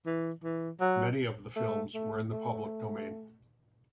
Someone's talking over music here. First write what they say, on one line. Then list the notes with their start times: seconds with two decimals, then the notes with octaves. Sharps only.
Many of the films were in the public domain.
0.06 E3
0.44 E3
0.80 F#3
1.56 A3
1.95 A3
2.32 A3